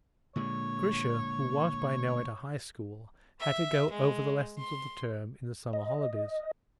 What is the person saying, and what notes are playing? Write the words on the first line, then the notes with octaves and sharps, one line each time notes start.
Grisha, who was by now at a high school, had to go over the lessons of the term in the summer holidays.
A#2 D3 G#3 C#5
E5
G#3
C6
D#5